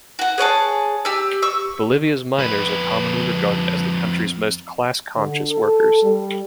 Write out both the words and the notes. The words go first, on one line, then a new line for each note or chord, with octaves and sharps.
Bolivia's miners are commonly regarded as the country's most class-conscious workers.
F#4 F#5
G#4 C#5 F#5 A5
G4 E6
C#6 E6
F2 B4
D3
A4
G3